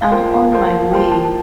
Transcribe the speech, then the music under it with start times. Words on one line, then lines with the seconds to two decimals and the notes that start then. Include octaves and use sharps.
I'm on my way.
0.01 F5
0.11 F3 A#3 F4 C5 G5
0.31 F5
0.52 F3 A#3 F4 C5
0.92 F3 A#3 F4 C5 G5
1.11 A5
1.24 A5